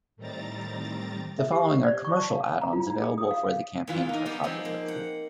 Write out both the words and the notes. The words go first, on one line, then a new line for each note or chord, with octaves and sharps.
The following are commercial add-ons available for the Campaign Cartographer tool.
A2 D#3 G3 C4 A#5 A6
E5
G4
D5
C#6
A5
F5
A#5
F4
D#4
G#4
D#6
F5
A#2 E3 B3 F4 B4
A#3 D#4
G3 B3 G4
F3 G#3 C4 D#4
A#3
F#5